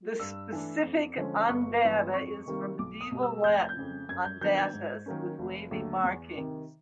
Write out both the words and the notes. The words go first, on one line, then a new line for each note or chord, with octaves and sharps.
The specific "undata" is from Medieval Latin "undatus", "with wavy markings".
G2 E6
E3 A3 D4
F2
D3 F3 G#3 C#4
G1 C#6
G2 E3 G#3 B3
F2 C#6
C3 D#3 G3 A#3
B1 D6
D#6
B2 G3
E6
F1 G6
G#6
G6
F2 C#3
F#2 G#6
G6
D#3 F#3 B3 D4 G6
G#6
G#2
D#3 F#3 A#3 C#4
F1
D#2 D3 F#3 A3
E2
C3 D#3